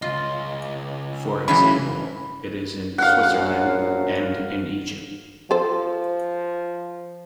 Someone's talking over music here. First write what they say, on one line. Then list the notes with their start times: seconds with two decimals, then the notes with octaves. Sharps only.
For example, it is in Switzerland, and in Egypt.
0.02 C#2 F4 D#5
1.48 C#3 E3 F#3 B5
2.98 A#1 F#2 F5 F#5
5.51 F3 A4 C5